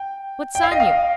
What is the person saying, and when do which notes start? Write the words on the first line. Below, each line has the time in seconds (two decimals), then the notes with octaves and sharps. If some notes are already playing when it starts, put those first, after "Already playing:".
What's on you?
Already playing: G5
0.55 G5
0.63 F5
0.71 D#5
0.80 F5